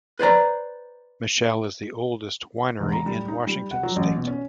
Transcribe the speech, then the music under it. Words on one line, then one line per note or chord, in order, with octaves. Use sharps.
Michelle is the oldest winery in Washington state.
B4 C5 D5 A#5
E1
A#5
G3
D#4
G3
F#5
F#3
A1
B2
C#4